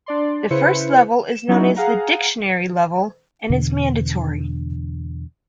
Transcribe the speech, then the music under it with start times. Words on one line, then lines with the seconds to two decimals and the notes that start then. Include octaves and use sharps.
The first level is known as the "dictionary" level and is mandatory.
0.06 D4 D5 C6
0.50 C#3 E4 B4 C5 C#7
1.32 E7
1.48 F#3 B3 C#4 D#4 E4 F#4
1.76 G#4 F5 F#5 A#5
3.50 E2 B2 D3 D4